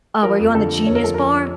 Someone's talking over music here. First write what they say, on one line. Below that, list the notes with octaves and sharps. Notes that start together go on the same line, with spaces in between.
Oh, were you on the Genius Bar?
F3 A#4
F2
D3 A4
F3
F2 C#5
A#4
F3 A4
F3 A#4